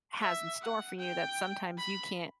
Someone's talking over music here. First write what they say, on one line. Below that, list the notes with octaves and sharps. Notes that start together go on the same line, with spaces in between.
has in store for you that sometimes you can't
E5
F#5
G5
B5